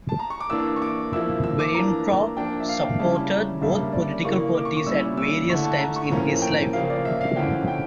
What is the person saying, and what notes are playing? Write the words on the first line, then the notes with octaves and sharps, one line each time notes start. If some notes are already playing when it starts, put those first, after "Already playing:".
Weintraub supported both political parties at various times in his life.
A5
A#5
C#6
D6
E3 A#3 D4 E6
C#6
D6
F3 A#3 E4 E6
E6
D6
E3 A#3 D4 A#5
F3 A#3 D4 G5
E5
F5
G5
C#3 G3 C#4 E4 A5
A#5
C#3 G3 A#3 D4 E5
D5
C#3 E3 A#3 E4 C#6
D6
C#6
C#6
A#2 G3 C#4 E4 E6
E6
D3 A3 E4 C#6
A5
A5
A#5
C#6
A2 F3 A#3 C#4 A#5
G5
C#3 F3 A#3 F5
D5
E5
F5
D3 F3 C#4 E4 G5
G5